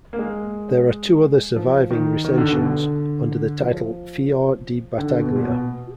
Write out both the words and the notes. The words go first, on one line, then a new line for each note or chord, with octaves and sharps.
There are two other surviving recensions, under the title Fior di Battaglia.
A#3
G#3
F3
D#3
D#3
D3
B2
D3
F3
D3
B2
A#2
B2